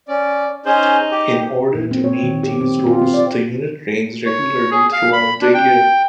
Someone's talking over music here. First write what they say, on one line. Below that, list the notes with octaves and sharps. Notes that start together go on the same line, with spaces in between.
In order to meet these roles the Unit trains regularly throughout the year.
C#4 D5
C#4 D#4 G#4 C5
G4
A#2
C4
C#5
D#3
G4
C4
F4
C4
D5
C#5
G#4
F5
B5
D4
G5